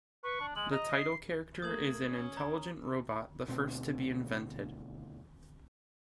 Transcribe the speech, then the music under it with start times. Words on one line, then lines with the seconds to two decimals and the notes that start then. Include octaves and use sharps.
The title character is an intelligent robot, the first to be invented.
0.24 B4 C#6
0.40 D4
0.56 G#3 F#7
0.71 D#5 A#5
0.92 C7
1.62 A3 A#3 D#6 G#6 F#7
2.08 C#4
2.37 A#5
3.48 D2 B2 C4